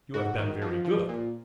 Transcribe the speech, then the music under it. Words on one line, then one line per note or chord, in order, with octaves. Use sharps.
You have been very good.
G#2 F#4
D#3
F3
F3
A#2